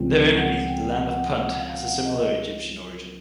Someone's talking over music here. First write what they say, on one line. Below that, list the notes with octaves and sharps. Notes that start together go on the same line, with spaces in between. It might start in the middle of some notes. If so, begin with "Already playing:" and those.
Their enemy, the Land of Punt, has a similar Egyptian origin.
Already playing: C#2 C#3 F3 G#3 C4
F#5
G5
F#5
F#5
F#5
F5
F#5
D#5